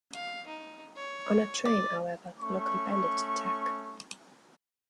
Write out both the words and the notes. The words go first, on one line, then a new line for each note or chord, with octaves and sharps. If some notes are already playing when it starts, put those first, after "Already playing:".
On a train however, local bandits attack.
F5
D#4
C#5
D5 D#5
A3 C#4 C#6